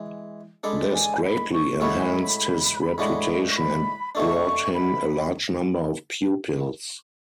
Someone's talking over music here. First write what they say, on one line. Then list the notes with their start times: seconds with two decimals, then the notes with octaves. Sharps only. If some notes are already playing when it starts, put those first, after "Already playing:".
This greatly enhanced his reputation and brought him a large number of pupils.
Already playing: E3 G#3
0.63 G#3 D4 A4 D5 B5
0.93 G#5
1.23 B5
1.52 C#6
1.80 A2 G#3 C#4 F#4 A4 B5
2.98 A2 G#3 D4 F#4
3.49 C#6
3.56 B5
4.15 B2 A3 D4 C#6
4.73 B5